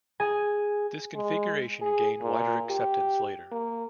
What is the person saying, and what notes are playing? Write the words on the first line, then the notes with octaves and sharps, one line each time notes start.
This configuration gained wider acceptance later.
G#4 G#5
G#3
G#4
A#2
G4
A#3